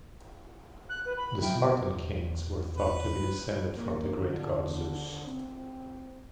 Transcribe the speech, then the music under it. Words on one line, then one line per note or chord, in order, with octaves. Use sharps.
The Spartan kings were thought to be descended from the great god Zeus.
F#6
B4
B5
F#3 E4 F4 G5
B2
E2
B4
A#3
D3
C4